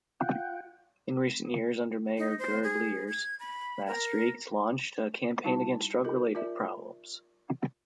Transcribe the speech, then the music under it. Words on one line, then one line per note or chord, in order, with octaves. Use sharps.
In recent years, under mayor Gerd Leers, Maastricht launched a campaign against drug-related problems.
F4 F#5 G5
D#4
C5
G#4
G#6
B5
A#4
G3 D#4 E4 F#4 A5
D#4 F4 G4 A4 A#4 D#5
F4 A#4 D5 E5